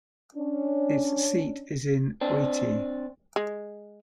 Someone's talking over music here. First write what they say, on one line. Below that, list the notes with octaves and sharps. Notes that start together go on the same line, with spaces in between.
Its seat is in Oitti.
C#4 D4
C4 D4
G#3